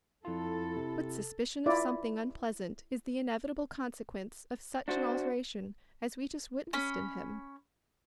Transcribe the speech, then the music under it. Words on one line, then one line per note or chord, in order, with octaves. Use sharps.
But suspicion of something unpleasant is the inevitable consequence of such an alteration as we just witnessed in him.
F2 E4 F4 A4
C3
E4 F4 D5
D4 F#4 C5
C#4 B5